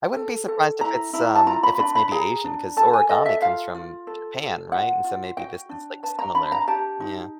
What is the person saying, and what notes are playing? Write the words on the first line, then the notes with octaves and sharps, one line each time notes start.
I wouldn't be surprised if it's, um, if it's maybe Asian 'cause origami comes from Japan, right, and so maybe this is, like, similar? Yeah.
A4
A4
E4 A#5
E4 A#5
A5
F4 A#5
B5
D4 B5
B5
G#4 A#5
D4
A4 A5
G#5
A4 D#5
E5
F4 F5
F4
A4
A4
F4 F#5
F4
F#4 G5
D4
B4 A5
A#5
D4 B5
A#5
G4 A5
D#4